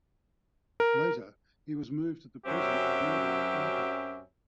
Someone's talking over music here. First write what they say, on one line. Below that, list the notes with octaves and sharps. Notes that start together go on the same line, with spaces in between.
Later he was moved to the prison at nearby Luckau.
A#4
F#2 F#3 C4 C#4 G4 E5